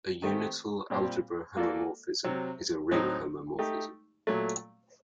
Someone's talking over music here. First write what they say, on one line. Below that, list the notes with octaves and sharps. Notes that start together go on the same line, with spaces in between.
A unital algebra homomorphism is a ring homomorphism.
D#3 A3 C4 G4
A#2 G3 C4 G4 C5
A#3 F#4 A4 D5
C3 F#3 C4
A2 F#3 C4 D#4
A3 D#4 G4
A#2 F#3 A3